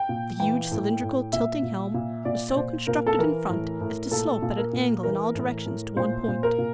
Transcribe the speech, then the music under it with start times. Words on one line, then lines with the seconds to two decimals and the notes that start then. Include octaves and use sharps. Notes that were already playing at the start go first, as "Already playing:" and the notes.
The huge cylindrical tilting helm was so constructed in front as to slope at an angle in all directions to one point.
Already playing: G5
0.09 A#2
0.40 E3 G5
0.71 A2
1.02 A2
1.33 A#2 E5
1.63 A#2
1.94 A#2
2.25 A#2 D5
2.56 A#2 C5
2.87 A#2 A#4
3.07 A4
3.18 E3 A#4
3.49 A2
3.81 A2
4.11 A#2 A4
4.42 A#2
4.57 A#4
4.73 A#2
5.03 E3 A#4
5.35 A2
5.66 A2
5.96 A#2 C5
6.28 A#2
6.43 A#4
6.58 A#2